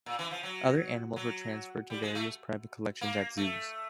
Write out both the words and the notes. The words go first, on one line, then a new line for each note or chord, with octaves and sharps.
Other animals were transferred to various private collections and zoos.
A#2
E3
F3
F#3
F#3
G3
G#3
A3
A#3
A3